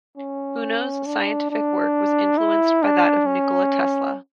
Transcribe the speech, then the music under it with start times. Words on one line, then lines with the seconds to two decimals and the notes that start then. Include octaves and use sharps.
Unno's scientific work was influenced by that of Nikola Tesla.
0.17 C#4
1.06 D4
1.50 D4
2.38 E4
2.82 D4
3.26 C#4